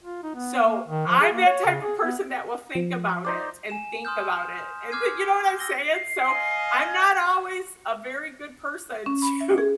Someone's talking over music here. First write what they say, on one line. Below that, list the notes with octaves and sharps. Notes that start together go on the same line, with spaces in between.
So, I'm that type of person that will think about it, and think about it, and thi you know what I'm saying? So, I’m not always a very good person to
F4
D#4
B3
A#3
D#3
F3
G#4
A#3
C#5
C#3
G#4
B3
F3
D#4 C5 D5
G#5 E7
C6 D#6 F6 G6
D6 F6 G#6 C7 D#7
G6
E6 A#6 G7
C7
D#5 F5 G#5
G#6
C#4
B5
E5
G#4